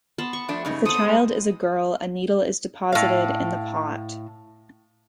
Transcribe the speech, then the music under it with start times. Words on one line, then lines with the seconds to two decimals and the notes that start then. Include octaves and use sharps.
If the child is a girl, a needle is deposited in the pot.
0.18 B3 A5 C6
0.33 C#6
0.48 F3 A3 D4
0.65 G2 C#3 D#4
0.86 B3 A4 C5 D#6
1.06 G#3
2.92 A2 F5